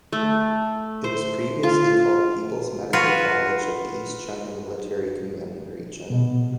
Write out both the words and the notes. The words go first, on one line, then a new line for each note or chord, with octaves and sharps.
It was previously called People's Medical College of the East China Military Commanding Region.
A3
C5
F4
F4 F#4 B4
B2